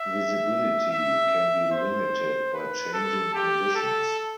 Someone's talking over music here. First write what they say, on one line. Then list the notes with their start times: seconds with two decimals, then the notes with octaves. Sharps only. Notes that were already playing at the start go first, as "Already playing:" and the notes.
Visibility can be limited by changing conditions.
Already playing: E5
0.91 E5
1.72 C5
2.54 B4
2.93 A4
3.34 G4
3.76 A4